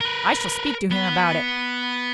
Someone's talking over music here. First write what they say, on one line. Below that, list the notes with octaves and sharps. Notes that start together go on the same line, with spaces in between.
I shall speak to him about it.
A#4 B4
B3